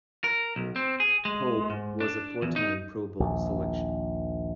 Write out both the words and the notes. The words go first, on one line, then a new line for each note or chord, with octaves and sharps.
Paup was a four-time Pro Bowl selection.
A#4
B1
C4
G#4
G#3
G#2
D4
E2
D#4
A#1 D#2